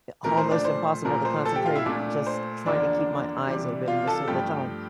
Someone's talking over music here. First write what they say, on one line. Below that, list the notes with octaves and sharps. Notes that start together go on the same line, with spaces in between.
eh, almost impossible to concentrate just trying to keep my eyes open most of the time.
A#2 F3 A3 A#4
C5
D4 D5
C5
A#2 F3 A3 A#4
C5
A4 A5
G4 G5
F4 F5
E4 E5
A#2 A3 D4 D5
C5
E2 D3 F3 A#3 D4 D5
C3 E3 G3
F4 F5
A4 A5
G2 F3 A3 G4 G5